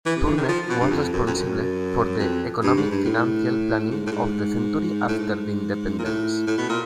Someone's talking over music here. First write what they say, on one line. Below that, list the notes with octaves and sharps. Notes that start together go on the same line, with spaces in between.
Turner was responsible for the economic, financial planning of the country after the independence.
E3
C3
D3
D#3
F3
B2
G2
F2
F#2
F2
F#2
F2
G2
G#2
G2
A2
G#2
A2
G#2
A2
G#2
A#2
A2
A2
B2
A#2